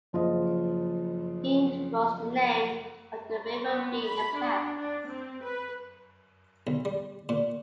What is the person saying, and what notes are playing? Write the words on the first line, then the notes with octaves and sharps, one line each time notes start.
"Neen" was the name of the River Rea in the past.
F#1 F3 F4 D#5
B3
B5
D4
D4
C4
B4
B1
G3
A#2